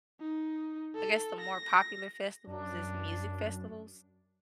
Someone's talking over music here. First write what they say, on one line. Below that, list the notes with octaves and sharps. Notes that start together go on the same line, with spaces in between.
I guess the more popular festivals is music festivals.
D#4
A4
A#6
F#2 D4